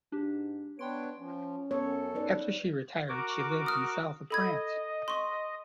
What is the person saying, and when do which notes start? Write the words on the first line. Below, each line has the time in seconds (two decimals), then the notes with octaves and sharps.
After she retired she lived in the south of France.
0.12 G#2 D4 G4
0.79 B3 D4 B4 C#5 G5 C6 D7
1.19 F3 C#4
1.71 F#2 B3 A4 C#5
2.15 D#4 B4 D5
3.09 F#4 A#4 D6
3.66 D#6 F6
4.30 A4 D#5 B5 G#6
5.08 C6 C#6